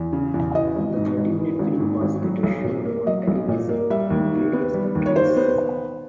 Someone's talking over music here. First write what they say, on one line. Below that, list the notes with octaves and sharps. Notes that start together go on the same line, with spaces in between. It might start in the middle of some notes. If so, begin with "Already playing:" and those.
The thirty-minute film was later shown on television in various countries.
Already playing: E2
C#3
E2
E3 D#5
G#1
G#2
G#1
E3
G#1
G#2
G#1
F#3
B1
A#2
A#3
F#3 D#5
B1
A#2
A#3
G3 E5
D#2
D#3
B3
G3
D#2
C#5
D#3 C5
B3